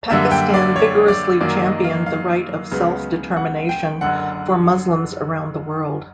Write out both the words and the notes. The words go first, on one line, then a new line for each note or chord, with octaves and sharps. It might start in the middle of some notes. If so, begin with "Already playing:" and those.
Pakistan vigorously championed the right of self-determination for Muslims around the world.
F#2 D3 G3 A#3 E5
G5
D5
C#5
D5
F#2 D#3 F#3 A#3 D5
D#5
F5
F5
C#2 C#3 F#3 B3
F#5
G5
F#1 F#2 D3 F#5